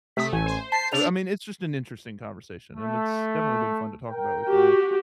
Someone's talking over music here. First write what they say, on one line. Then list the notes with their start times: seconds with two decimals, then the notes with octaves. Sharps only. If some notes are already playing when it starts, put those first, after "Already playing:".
So, I mean, it's just an interesting conversation, and it's definitely been fun to talk about with you, man.
0.17 C3 A3 D#6 B6
0.33 A1 G#5
0.46 C5
0.72 A5 G6 B6 C7
0.92 D4 F7
2.76 A3
4.09 A#4 G5
4.49 F#4 G4